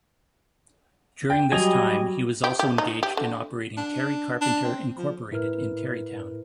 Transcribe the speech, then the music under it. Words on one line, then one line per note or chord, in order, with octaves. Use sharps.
During this time, he was also engaged in operating Terry Carpenter, Incorporated in Terrytown.
G5
F#3 G3 D#5 G#5 F7
G4
G4
D#4
G4
D3
D4
D4
C4
F3
A2 E4 A#4 B4 F6